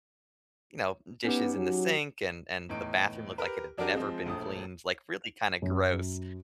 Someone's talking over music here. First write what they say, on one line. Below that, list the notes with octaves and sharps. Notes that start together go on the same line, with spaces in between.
you know, dishes in the sink and and the bathroom looked like it had never been cleaned, like really kinda gross.
B3 C#4 D#4 G4
F#3
E2 A2 D#4 D7
G4 A#4 B4
F#3 D4 F#4 G4 A#4 D5
F3 G#3 C4
E1 A#1 A3 D#6
F#2